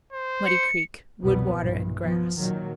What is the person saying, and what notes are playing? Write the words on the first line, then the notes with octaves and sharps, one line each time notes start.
Muddy Creek.--Wood, water, and grass.
C5
C#7
C2 F2 B2 F#3 G3 B3
B1 G2 A#2 E3
F3 B3
A#2 D#3 F#3